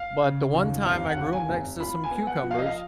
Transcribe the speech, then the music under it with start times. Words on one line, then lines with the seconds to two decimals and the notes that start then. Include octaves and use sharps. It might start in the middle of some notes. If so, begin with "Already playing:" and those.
But the one time I grew 'em next to some cucumbers,
Already playing: F5
0.23 C#3
0.55 D#2
0.86 F1 F5
1.09 F#5
1.18 D#2
1.33 G#5
1.49 F1
1.80 F4 B5
2.04 G#5
2.11 B3
2.27 F#5
2.43 F3
2.51 F5
2.59 D#5
2.66 F5